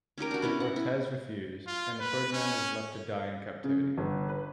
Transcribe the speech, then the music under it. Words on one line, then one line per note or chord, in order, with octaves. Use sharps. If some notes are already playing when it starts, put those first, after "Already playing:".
The Cortes refused, and Ferdinand was left to die in captivity.
C#4 D#4 G4 A#4
D4 F#4
B3 C#4 E4
F#5
E4
F4
B4
C#4
C#3
G1
B4